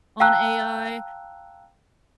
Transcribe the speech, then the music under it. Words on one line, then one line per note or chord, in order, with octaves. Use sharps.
on AI,
F5 G5 A5 A#5 E6 F#6